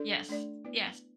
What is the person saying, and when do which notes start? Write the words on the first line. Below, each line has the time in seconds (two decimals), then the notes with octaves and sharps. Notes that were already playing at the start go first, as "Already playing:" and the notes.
Yes, yes.
Already playing: D4 A4 D5
0.29 A3 D4 A4 D5
0.65 B3 E4 B4 D5